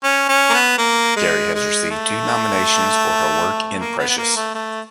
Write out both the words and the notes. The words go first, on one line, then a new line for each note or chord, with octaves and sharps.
Carey has received two nominations for her work in "Precious".
C#4
C#4
A#3
B3
A#3
G#3
G#3
A3
A#3
B3
B3
A#3
A3
A3